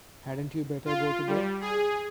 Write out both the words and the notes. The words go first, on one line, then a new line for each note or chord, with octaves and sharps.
Hadn't you better go to bed?
F4
G3
G#4